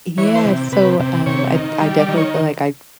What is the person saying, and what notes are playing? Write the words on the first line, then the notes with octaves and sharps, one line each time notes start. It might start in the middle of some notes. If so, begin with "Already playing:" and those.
yeah, so, um, I d I definitely feel like I
E3 C#5
C5
C3
C3 B4
C3
C3 C#5
D#3
G3
D5
D#3
C#5